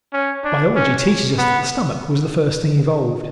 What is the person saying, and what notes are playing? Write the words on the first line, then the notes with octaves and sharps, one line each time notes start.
Biology teaches us that the stomach was the first thing evolved.
C#4
D4
C#4
B3